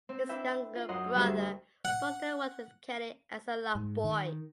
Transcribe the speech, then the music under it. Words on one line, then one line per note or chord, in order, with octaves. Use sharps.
His younger brother, Buster, worked with Kelley as a lot boy.
C4
D4 E4 B4 E5 G5
F4
F#2 A#4 D#5 F#5 C6
D2 G3 F#4 G#4 E5
F#5
G#2
D#3